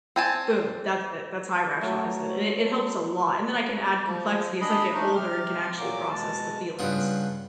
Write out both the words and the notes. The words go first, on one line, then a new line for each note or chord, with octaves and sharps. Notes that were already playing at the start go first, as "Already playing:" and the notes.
Boom! That's it. That's how I rationalized it, and it and it helps a lot, and then I can add complexity as I get older and can actually process the feelings.
C4 G#5 A5
F#3 A3
F3
D4 G#4 D#5 B5
G#3 A3 D4 D#4
C3 G4 F6
A#2 F#3 A#3 D6
B2 G#3 A5
G2 C#3 B3 F4